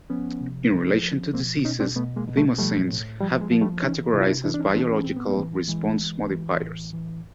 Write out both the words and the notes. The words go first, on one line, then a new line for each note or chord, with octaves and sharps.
In relation to diseases, thymosins have been categorized as biological response modifiers.
F3 B3 C#4
C3
F3
F3
B2 A#3 C4
B2 C#4 D#4
C4 D4
B2 A3 B3
G#3 A#3
B2
G3 A3
F3 G3 A3
A2
F3 G3
G#3
F3
G3 A3
E3 C#4 D#4
C3 E4
F4
D4 E4
E3 D4 E4
D4
C#4 D#4
E3 C4 D4
C#4
A2 C4
B3
A#3 C4
E3
E3 G#3
E3
E3
A2
E3